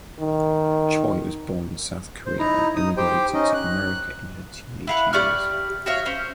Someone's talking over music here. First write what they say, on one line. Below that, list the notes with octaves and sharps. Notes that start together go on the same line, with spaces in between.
Choi was born in South Korea and immigrated to America in her teenage years.
D#3
C5
D#4 E4 A#5
D#4 D#6
G4 C5 G5
C#4 D#4 D#5
F#6
E4 F5 F#5
G4 D5 C#6 F6
F#4 C#5 E5 F5
C#4 C5